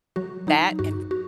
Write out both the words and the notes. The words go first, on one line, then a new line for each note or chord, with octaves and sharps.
That and
F#3 F#4
F#3 D#4
G2 F#4
F#4